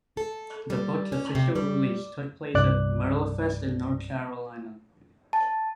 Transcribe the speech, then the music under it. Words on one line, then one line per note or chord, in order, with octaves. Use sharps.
The book's official release took place at Merlefest in North Carolina.
A4
G3
C#4
C3
G3
C2 G2 D5 F#6
A5